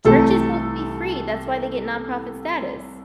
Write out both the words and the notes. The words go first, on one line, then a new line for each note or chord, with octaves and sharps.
Church is supposed to be free. That's why they get nonprofit status.
C2 C3 E3 A3 A4